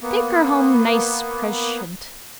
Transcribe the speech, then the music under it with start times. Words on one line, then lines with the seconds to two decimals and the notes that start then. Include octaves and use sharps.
Take her home nice preshent.
0.01 A#3 B3